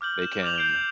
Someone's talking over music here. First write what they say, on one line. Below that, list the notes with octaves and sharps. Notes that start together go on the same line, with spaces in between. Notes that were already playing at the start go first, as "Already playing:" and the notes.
they can
D6 F6 G6 F#7
E7
D6 F6 G6 F7 F#7
G6 C7 D7 E7 G7